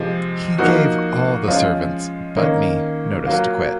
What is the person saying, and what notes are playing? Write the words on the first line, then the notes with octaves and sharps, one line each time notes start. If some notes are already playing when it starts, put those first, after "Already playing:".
He gave all the servants, but me, notice to quit.
Already playing: C3 F3 G#3 C4
F3 A#3 D#4 F#4
F3 G#3 C#4 F4
D#3 A#3 C#4
F#3 A#3 F4